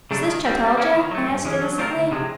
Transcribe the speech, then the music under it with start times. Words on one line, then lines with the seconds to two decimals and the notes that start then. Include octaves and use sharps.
'Is this Chataldja?' I asked innocently.
0.11 C#3 F#3 A3 D4
0.28 D#3
0.44 G3 C4
0.61 G3
0.77 A#3 C#4 E4
0.94 D#3
1.11 F#3 A3
1.28 G2
1.45 E3 G#3 C#4
1.61 F#3
1.78 A3 C4 F4 A#4
1.95 D2
2.11 C3 F3 G#3